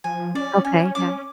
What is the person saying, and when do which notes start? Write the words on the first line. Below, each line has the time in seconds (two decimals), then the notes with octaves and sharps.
Okay. Yeah.
0.04 F3 G#5
0.35 C#4 D5
0.65 C#4 G#5
0.95 C#4 D6